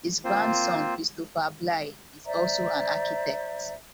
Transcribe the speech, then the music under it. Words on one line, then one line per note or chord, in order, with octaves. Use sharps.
His grandson Christopher Bligh is also an architect.
A#3 C4 F4 C5
C5 D5 E5 A#5